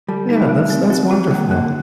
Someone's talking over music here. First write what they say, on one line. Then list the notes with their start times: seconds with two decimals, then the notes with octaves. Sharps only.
Yeah, that's that's wonderful.
0.09 D3 G3
0.29 D#4
0.49 A3
0.70 C4
0.90 F#3 C4
1.10 F#3 F#4
1.31 D#3 A#3
1.51 D3 A#3